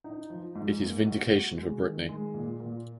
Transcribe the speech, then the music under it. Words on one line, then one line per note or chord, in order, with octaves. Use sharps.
It is vindication for Britney.
D#4
F3
G#2
A#3
F#4
F#4
G#3
D#3
G#3
A#2
A#2